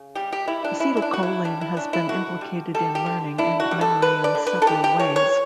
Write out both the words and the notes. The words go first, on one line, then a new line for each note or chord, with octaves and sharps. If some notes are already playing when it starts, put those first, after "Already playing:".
Acetylcholine has been implicated in learning and memory in several ways.
Already playing: C#3
G3 G4
G4
G3 E4
D4
C#4 E4
E4
D4
C#3 F#4
E4
G3 D4
E4
C#4 D4
E4
D3 F#4
G3
G3 A4
G4
D3
D4 E4
F#4
G3
A4
D3 B4
D5
D3
B4
A4
E3 G4
G4
E3 C#5
C#5